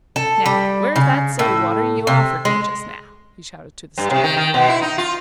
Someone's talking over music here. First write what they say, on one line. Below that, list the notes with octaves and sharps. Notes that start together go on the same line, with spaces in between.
"Now where's that soda water you offered me just now?" he shouted to the steward.
A4
G3
C#3
A2
C3
G#3
G2
C3
D#3
D#3
B2
E4
D#4
F4